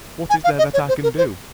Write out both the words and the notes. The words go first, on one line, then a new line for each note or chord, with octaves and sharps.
What is there that I can do?
G#5
F5
D#5
C#5
C5
A#4
C5